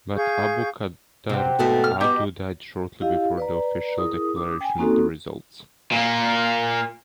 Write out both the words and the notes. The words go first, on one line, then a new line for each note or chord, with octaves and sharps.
But Abubakar Audu died shortly before the official declaration of the results.
G#4 F5 C#6 G6
C3 F#5 G5
G#2 B2 A3 A4
F6
B3 D#4 F#4 G4
E4 G4 D#5 F5
B4 D5 A#5
E4 G#4 A#4 D#6
C#4 D6 D#6
G5 G#5
A#3 C4 C#4 D#4 F#4 A4
A#2 A#3